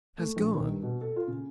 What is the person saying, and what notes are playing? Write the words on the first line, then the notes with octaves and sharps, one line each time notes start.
"Has gone."
A3
A#1
D#3
G2
B2
A4
F4
C#3